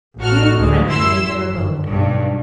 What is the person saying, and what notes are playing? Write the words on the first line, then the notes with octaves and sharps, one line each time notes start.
Here the French made their abode.
A1 F#4 A4 F6
D2 G#3
F#2 E4 C6 E6
G1
B1 G2